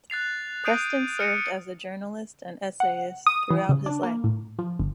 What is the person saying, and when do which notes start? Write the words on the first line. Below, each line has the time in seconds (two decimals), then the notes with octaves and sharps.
Preston served as a journalist and essayist throughout his life.
0.10 F#6 A6 C7 F7
0.65 D#6 G6 C7 D7 D#7 F7
1.19 F6 C#7 D#7
2.80 F#5
3.27 D#6
3.50 E3
3.69 C#3
3.86 D4
4.03 A#3
4.24 A2
4.59 F3
4.79 G1